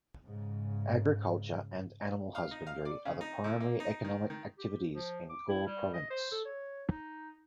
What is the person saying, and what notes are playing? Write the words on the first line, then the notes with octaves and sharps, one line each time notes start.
Agriculture and animal husbandry are the primary economic activities in Ghor Province.
G#2 C#3
F5
D#4
F5
D5
C#3
D#4
A2
A#3
D#4
D#3
D#3
G4
F3
D6
E4
G3
D#5
C5
A4
C#5
D#4